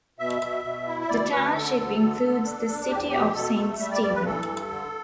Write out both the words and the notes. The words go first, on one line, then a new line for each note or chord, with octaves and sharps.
The township includes the City of Saint Stephen.
B2 E5
B2
B2
E4
E5
D2 D5
D2 B4
D3 A4
D2
D3
D3
D4
D4
E2 G4
B2 G4
B2 A4
A3
G3 E5
D5
G2 D5
B4
E3 A4
G2
D3